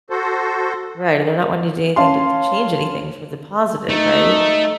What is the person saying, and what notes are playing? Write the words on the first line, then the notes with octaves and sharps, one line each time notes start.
Right, and they're not wanting to do anything to t change anything for the positive, right?
F#4 A4 C5
C#4 F5 A5 C6
A3 D#4